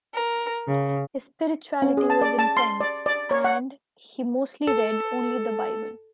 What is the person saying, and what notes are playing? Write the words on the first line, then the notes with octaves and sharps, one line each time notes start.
His spirituality was intense, and he mostly read only the Bible.
A#4
C#3
C#4
G#4
A5
D5
A5
C6
D5
D5
C#5
F#5
A4